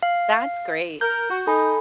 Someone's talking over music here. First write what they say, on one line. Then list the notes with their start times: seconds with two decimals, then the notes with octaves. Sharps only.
That's great,
0.03 F5
1.01 A#4 G6
1.30 F#4
1.47 D#4 A4 G#5 B5